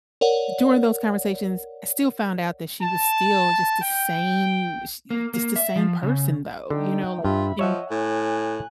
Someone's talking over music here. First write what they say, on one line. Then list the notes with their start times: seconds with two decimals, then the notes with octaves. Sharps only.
during those conversations, I still found out that she was still just the same she just the same person, though, you know? Like, thing
0.21 A#4 C#5 D5 F#5
2.82 A5
3.82 G5
5.10 A#3
5.34 A#3
5.56 E5
5.76 F3
6.03 C#3
6.70 D3 D#4 G5
7.25 G2 F4 E5 B5
7.59 F3 C#5 D#5 E5 F#5
7.91 A2 G#5 F#6